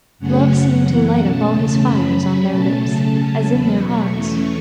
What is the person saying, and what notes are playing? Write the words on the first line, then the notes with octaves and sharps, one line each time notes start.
Love seemed to light up all his fires on their lips, as in their hearts.
F#2 C#3 F#3 A3 C#4 F#5
F#2 C#3 F#3
F#2 E3 B3
B2 A3 C#4 A5
E2 C#3 A3 C#4
F#2 F#3 C#4 B5
C#3 F#3 C#4
B2 A3 C#4 A5
C#3 F#3 A3 C#4
C#3 F#3 C#4
E2 C#3 F#3 B3 B5
B2 F#3 A3 C#6
E2 E3 A3 C#4